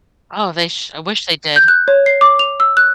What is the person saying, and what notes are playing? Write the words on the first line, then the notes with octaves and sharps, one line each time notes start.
Oh, they sh I wish they did.
G6
F#6
C#5
C7
D6
F7
E6
F#6